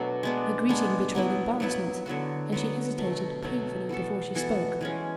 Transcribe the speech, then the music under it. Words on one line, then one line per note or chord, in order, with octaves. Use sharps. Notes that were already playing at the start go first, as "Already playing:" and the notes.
Her greeting betrayed embarrassment and she hesitated painfully before she spoke.
Already playing: B2 F#3 A3 D4
G#3 B3 D4
G#3 B3 D4
F#3 B3 E4 B4
F#3 B3 E4 B4
D3 F#3 B3 F#4
D3 F#3 B3 F#4
B2 F#3 A3
B2 F#3 A3
E3 B3 F#4 A4
E3 B3 F#4 A4
E3 G#3 C#4